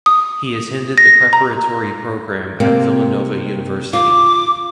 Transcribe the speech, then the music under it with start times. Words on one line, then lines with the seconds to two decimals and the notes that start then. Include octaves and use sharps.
He attended the preparatory program at Villanova University.
0.06 D#6
0.98 A#6
1.33 A#5
2.60 C3 A#3 C4
3.93 F4 D6